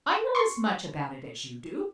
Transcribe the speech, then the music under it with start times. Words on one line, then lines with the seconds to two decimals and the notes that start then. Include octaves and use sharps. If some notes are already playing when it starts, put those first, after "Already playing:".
"I know as much about it as you do!"
0.35 C6 C#6